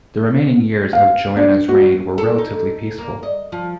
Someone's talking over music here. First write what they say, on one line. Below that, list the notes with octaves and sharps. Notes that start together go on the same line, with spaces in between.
The remaining years of Joanna's reign were relatively peaceful.
F5
D4
F#4
A4
D#4
A#3
D#5
F3